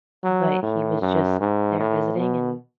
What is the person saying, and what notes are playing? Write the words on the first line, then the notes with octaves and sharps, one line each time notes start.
but he was just there visiting and
F#3
A2
F#2
G#2
A2
B2